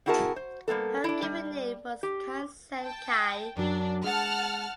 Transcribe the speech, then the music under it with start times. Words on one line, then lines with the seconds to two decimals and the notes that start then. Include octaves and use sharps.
Her given name was Khin Sein Kyi.
0.06 C4 E4 F#4 G#4 A#4 A5
0.36 C5
0.68 G3 A#3 B3 A4
1.04 D4 E4
1.22 G3
2.03 G4
2.79 G5 A5
3.57 F#2 F#3 D4
4.04 G#3 F#5 A5 F6